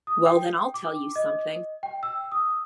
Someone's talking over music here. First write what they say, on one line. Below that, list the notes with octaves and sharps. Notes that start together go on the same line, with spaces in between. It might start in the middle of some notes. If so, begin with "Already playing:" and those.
Well, then, I'll tell you something.
D#6
G5
D6
D#5
G5
E6
D#6